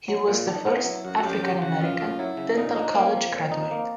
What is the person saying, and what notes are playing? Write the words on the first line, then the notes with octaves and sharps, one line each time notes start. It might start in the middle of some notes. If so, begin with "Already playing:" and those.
He was the first African-American dental college graduate.
F#3
A#2
D4
D#4
B3
E4
F#3
F#2 F#4
F#4
F#2 G4
F#3 G4
C#3 F#4
F#2 F4
F#2
F#3 E4
C#3
A#2 D#4
D4 D#4
A#3 C#4
C#4
F3 C4
A#2
D#4
A#3